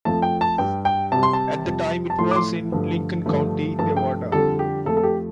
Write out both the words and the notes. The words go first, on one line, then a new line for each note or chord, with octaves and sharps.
At the time, it was in Lincoln County, Nevada.
F2 F3 A3 A5
G5
A5
G2 G3 G5
G5
C3 G3 A5
C6
A5
F2 C3 G3
A5
A2 F3 A3 C6
D6
C6
G2 D3 F3 A3
G2 D3 F3 A3
G2 F3 A3 A5
G5
F2 D3 G3 A4
G4
F2 F3 A3 A4
A4
G4